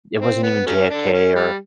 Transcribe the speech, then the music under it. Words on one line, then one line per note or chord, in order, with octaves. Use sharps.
it wasn't even JFK or
C4
B3
F#3 A3 C#4
D3 D4
C#4
G3